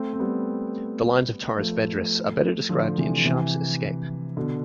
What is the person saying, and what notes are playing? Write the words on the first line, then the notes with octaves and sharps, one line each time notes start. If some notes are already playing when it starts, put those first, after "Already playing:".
The lines of Torres Vedras are better described in "Sharpe's Escape".
Already playing: A3 C4
C4
G3 B3
F3 A3
D3 F3
C3 E3
C3 E3
B2 D3